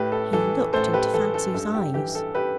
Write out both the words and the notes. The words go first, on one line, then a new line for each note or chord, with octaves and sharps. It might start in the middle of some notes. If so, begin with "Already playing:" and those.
He looked into Fancy's eyes.
Already playing: A2 G4 B4
A4
E3 A4
A2 A4 C5
G4 B4
E3 A4
A4
G2 A4
G4
E3 G4
A4
G4 B4